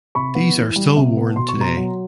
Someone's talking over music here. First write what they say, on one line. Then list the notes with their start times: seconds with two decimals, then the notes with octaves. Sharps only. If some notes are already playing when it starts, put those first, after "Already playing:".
These are still worn today.
0.15 C3 B5 C#6
0.35 B3
0.56 E3
0.76 G3
0.96 C3
1.17 B3
1.36 B2 C6
1.49 C#6
1.57 B2 A#5 C6
1.77 F#3